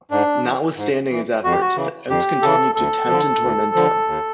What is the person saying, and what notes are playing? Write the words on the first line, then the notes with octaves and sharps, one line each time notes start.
Notwithstanding his efforts, the imps continued to tempt and torment him.
G#2 D4
E3
G#2
E3
F2 F#4
G4
F#4
C#3 E3
F2 G4
C#3 E3 A4
D2 A4
D3 F3
D2
D3 F3
D#2